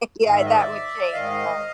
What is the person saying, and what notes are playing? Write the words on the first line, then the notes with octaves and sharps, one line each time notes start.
yeah, that would change, but
G#2 D#3 F5
E5
D#5
D5 E5
G#2 D#3 D#5 F5